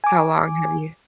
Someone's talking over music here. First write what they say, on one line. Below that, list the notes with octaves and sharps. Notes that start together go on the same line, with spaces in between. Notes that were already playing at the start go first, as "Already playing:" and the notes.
how long have you
G#5 D6